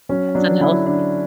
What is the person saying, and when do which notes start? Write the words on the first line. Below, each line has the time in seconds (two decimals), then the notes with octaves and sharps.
That's unhealthy.
0.09 F#3 C#4
0.35 F#3 D4
0.61 D3 E4
0.86 D3 D4